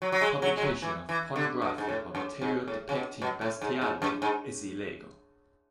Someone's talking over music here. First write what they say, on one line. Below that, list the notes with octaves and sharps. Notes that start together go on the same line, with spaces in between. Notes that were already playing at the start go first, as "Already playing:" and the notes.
Publication of pornography or material depicting bestiality is illegal.
F#3
F#3
G#3
F#3
G#3
F#3
E3
E3
D3
B2
G#2
A2
F#2
G#2
A2
C#3
B2
B2
A2
G#2
G#2
F#2
G#2